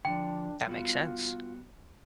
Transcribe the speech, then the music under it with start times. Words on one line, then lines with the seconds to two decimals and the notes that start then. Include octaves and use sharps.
That makes sense.
0.05 D3 E3 F3 D4 G5
0.67 G3 B3 F4 F#4